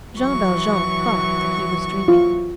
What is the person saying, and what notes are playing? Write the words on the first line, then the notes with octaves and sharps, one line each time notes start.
Jean Valjean thought that he was dreaming.
E3 F#3 C#6
F4